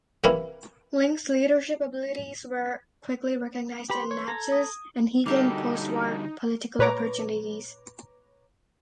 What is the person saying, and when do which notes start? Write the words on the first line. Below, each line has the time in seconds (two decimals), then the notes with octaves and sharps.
Lynch's leadership abilities were quickly recognized in Natchez, and he gained post-war political opportunities.
0.24 C3 E3 A#3 C#4 E4
3.90 G4 B4 B5 C6
4.11 C#5
4.28 A4 A#5 G#6 A#6
4.52 D#6
5.26 D3 G3 A#3 D#4 F#4 G4 A4
6.79 A#2 B4 C#5 A#5 D6